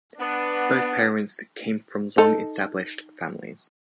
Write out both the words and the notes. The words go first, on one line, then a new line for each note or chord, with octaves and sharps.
Both parents came from long established families.
B3 D4
D#4 A4